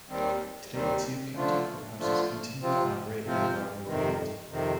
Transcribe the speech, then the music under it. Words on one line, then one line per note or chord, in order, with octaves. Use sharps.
Today, two county courthouses continue to operate in Barbour County.
D#2 D#3 G3 C4
D#2 D#3 G3 C4
D3 F3 A3 D4 F4
D3 F3 A3 D4 F4
C3 F3 C4 F4
C3 F3 C4 F4
F2 C3 D#3
F2 C3 D#3